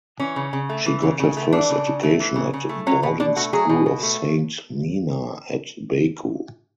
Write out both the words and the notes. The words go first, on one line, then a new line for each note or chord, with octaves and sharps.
She got her first education at Boarding School of Saint Nina at Baku.
E3 C#4
C#3
C#3
A3
E3
C#3
C#3
A3
E3 D4
C#3
C#3
A3
E3
C#3
C#3
A3
F#3 C#4
B2 B3
B2 D4
A3 F#4
F#3 G#4
B2
B2
A3